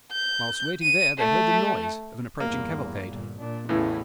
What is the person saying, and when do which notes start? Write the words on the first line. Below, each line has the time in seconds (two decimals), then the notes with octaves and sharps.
Whilst waiting there they heard the noise of an approaching cavalcade.
0.12 G6
0.82 D#7
1.18 A3
2.40 E2 G2 A#3
3.08 G1 A#2
3.39 A#2 D4
3.69 A1 E2 A2 C#3 E3